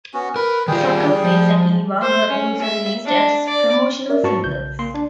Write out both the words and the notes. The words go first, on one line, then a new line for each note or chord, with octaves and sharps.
"Suckerface" and "Eva" were also released as promotional singles.
B3 C#4 F#4
A#4 B4
D#3 G3 F4 G#4 G5
F3
C5
C#4
E5
D4
D5
A#4 D5 E5
G#2 F#4 B4 A5 C#6
B1 C#3 G6
A#3 C6
D4